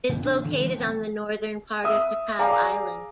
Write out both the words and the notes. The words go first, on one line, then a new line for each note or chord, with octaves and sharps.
It is located on the northern part of Ticao Island.
A2
A#1 D#2 C3 D4
A1 D2 C#3
E3 G#3 C4
E1 C2
E5 D#6 E6
G#4 D5 F5 G#5 A#5 D6